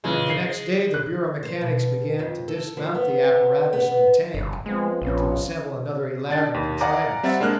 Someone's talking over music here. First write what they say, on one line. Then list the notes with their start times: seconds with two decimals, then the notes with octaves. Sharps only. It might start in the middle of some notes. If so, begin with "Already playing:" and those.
The next day the Bureau mechanics began to dismount the apparatus from the tank and to assemble another elaborate contrivance.
0.04 A#2 C#3 E3 G#3
0.30 C7
0.94 F#6
1.43 C5
1.61 B2
2.19 F2
2.48 A4
2.77 F3
2.95 B3
3.73 B3
4.34 G1
4.66 F3 G#3 B3 C4
5.02 A#1 F3 B3 C#4
6.30 D4 D5 A6
6.54 D#2
6.81 D5 F5 F#5 G#5 A#5 D6
7.23 G3 C4 E5 F#5 A6
7.40 G#3 A#3 D4 F6 F#6